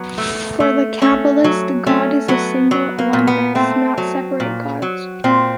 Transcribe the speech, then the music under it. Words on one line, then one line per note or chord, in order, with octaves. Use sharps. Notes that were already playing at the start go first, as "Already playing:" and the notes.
For the Kabbalist, God is a single oneness, not separate "gods".
Already playing: F#3 B3
A3
A3
A3 C#4
F#3
A3 C#4
F#3 B3
F#3 B3
A#3
A#2
B3
A3 C4
F#3
A#2
F#3
A#2 C4